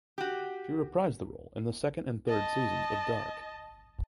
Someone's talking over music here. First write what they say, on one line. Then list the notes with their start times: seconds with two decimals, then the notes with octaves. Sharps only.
She reprised the role in the second and third seasons of "Dark".
0.18 F#4 G4
2.28 D#5 A5